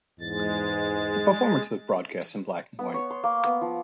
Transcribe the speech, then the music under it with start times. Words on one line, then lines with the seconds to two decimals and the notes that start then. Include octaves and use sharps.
The performance was broadcast in black and white.
0.20 E2 G#2 G#3 A6
2.79 B3
2.94 C#5
3.10 C6
3.24 A#3
3.44 B3
3.61 F3